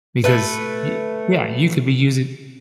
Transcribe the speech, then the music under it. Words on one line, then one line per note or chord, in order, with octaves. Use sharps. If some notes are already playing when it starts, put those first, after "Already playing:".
because, y yeah, you could be using
A3 B4